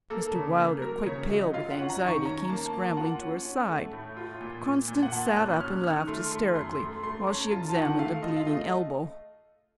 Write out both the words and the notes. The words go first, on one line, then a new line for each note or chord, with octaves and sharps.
Mr. Wilder, quite pale with anxiety, came scrambling to her side. Constance sat up and laughed hysterically, while she examined a bleeding elbow.
A#3 A4
C#3
A#3
F#3 A#4
C#3 C#5
F#3 D#5
F4 F5
F#5
C#4
A#5
D#3
C#6
C#4 A#5
A#3 A5
A#3 A5
F4 F#5
C#4
C#4
A3
A2
F4
A#2
A#2
A#2
F#5
A#2 A5
C#4 F#6
C#4 F6
D#3 F6
A3 C6
A3 C6
F#2 C6
A3 C6
A3 C6
C#4 A#5
F4 A5
A5
D#3 F#5
A3 F5
F4 D#5
F5
A3 D#5